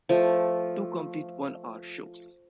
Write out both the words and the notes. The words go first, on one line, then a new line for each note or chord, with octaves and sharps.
Two complete one-hour shows!
F3 A3